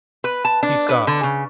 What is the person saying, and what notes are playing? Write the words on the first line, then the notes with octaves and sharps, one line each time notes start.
He stopped.
B4
A5
D4
B4
D3
C#3